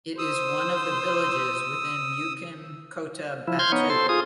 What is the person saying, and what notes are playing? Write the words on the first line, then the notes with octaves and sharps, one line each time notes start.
It is one of the villages within Mukim Kota Batu.
C5 D#6 E6
F3 E4
C6 F6 G6 G#6
B3 D#4 C#5
A4 C5 C6
F4 G#4 D#6